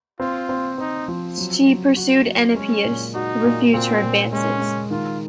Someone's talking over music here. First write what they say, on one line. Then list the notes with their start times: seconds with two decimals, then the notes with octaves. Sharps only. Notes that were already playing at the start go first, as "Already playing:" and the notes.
She pursued Enipeus, who refused her advances.
0.20 C4 F4
0.49 C4
0.78 C4 D#4
1.08 F3
1.38 F#3
1.67 F#3
1.97 F#4
2.26 F#3
2.55 G#3 C#4
2.84 A#2
3.14 D#4 F#4
3.44 A#2
3.73 A#2 C4
4.03 A#2
4.32 G#3 C#4
4.62 G#3
4.91 D#3 F4